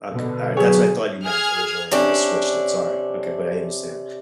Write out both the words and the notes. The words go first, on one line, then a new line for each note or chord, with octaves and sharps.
Okay, all right, that's what I thought you meant originally, and then I switched it, sorry. Okay, but I understand.
B2 D3
F#3 B3 G#4 C#5
G#4 F6 G#6
C3 C#4 D4